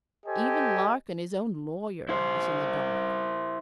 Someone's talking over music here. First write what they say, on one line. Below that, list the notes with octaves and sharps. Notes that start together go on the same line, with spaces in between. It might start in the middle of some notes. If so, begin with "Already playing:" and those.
Even Larkin, his own lawyer, is in the dark.
G4 A4 C5 D#5 G#5
E4 C5